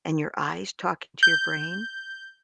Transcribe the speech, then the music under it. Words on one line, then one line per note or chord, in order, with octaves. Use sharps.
and your eyes talking to your brain,
G6